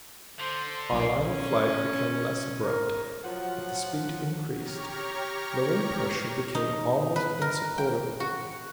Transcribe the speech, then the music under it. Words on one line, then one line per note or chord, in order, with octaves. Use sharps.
Our line of flight became less abrupt, but the speed increased, the wind-pressure became almost insupportable.
D3 C5
C6
B1 D#4 G#5
C#4
A#4
F3 F#3 F#5
G4 C#5 A#5 C#6 F6
D#4
B4
A#4
G5
F#4